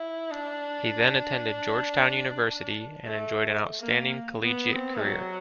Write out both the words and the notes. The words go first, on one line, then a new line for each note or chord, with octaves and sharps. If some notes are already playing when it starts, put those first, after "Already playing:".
He then attended Georgetown University and enjoyed an outstanding collegiate career.
Already playing: E4
D4
A3
A#3
B3
C4
F#3